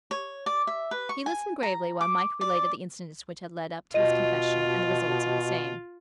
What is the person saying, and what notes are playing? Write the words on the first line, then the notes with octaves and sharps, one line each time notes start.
He listened gravely while Mike related the incidents which had led up to his confession and the results of the same.
C#5
D5
E5
B4
C#6
G#5
A#5
D6
D5
B2 F4 D#5 D#7